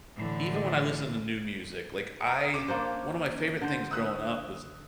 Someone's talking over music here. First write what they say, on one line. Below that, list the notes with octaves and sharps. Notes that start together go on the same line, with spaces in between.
even when I listen to new music, like I one of my favorite things growing up was
A2 D3 E3
A#5 D#6
C#4 D6 E7
A#3 D4 C5
D3 C5
D#6 E6 F#6